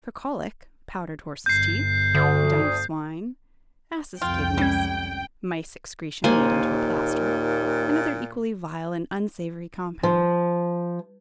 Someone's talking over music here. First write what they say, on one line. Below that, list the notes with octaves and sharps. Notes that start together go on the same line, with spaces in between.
For colic, powdered horse's teeth, dung of swine, asses' kidneys, mice excretion made into a plaster, and other equally vile and unsavory compounds.
G1 G6 C7
D2 D3 D#6
C2 F2 F4 G5
G3 G#3 C#4 G#6
D#2 A#2 A#3 C5 G#5
F3